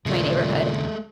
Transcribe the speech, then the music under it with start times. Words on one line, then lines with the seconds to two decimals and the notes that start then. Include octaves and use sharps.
my neighborhood,
0.06 D#2 A#2 C#3 G#3 A3